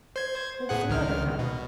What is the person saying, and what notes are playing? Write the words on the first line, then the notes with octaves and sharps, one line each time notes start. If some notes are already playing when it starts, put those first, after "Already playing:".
What's the other half?
C5 G#6
A2 G#4 F#5
C#2 D#3 F6
B2